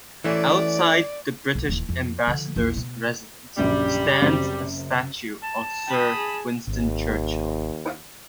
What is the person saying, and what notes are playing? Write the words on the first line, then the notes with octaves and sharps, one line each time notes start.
Outside the British ambassador's residence stands a statue of Sir Winston Churchill.
E3 A3 C#4 D5
B1 B2
D#1 E3
F2
D3 F3
A#1 E2
B2
A#1 F#2 C#3 G3
F#1 F#2 C4
A5
G5 B5 D#6
G#4
G#1 D#2